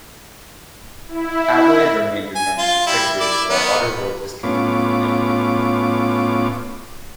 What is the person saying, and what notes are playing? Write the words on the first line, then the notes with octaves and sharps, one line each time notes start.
Adelaide remained in Rome for six years while Otto ruled his kingdom from Italy.
E4
G#5
F4
G3 E4
E4 D5
D#3 B3
A2 B3 C#4 F4 D6